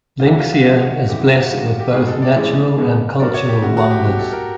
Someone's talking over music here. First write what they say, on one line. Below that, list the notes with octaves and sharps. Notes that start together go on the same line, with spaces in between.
Linxia is blessed with both natural and cultural wonders.
F4
E3 A3 D4 F#4
F4
F#4
C#3 F3 G#3 F4
F#4
F2 C#3 E3 G3 C4 G4
F#4
F4
F#4
G2 D#3 G#3 B3 F4
F#4
G4
B2 G#3 B3 D#4 F#4 G#4
A4
D5
A2 E3 G#3 C#4
B2 G#3 B3
F#3 B3 D4 F#4 A#4 D5
C#5
G4
C3 D#3 G#3 C#4 E4 F#4
F#4
G4
C2 B2 F#3
A4
A#4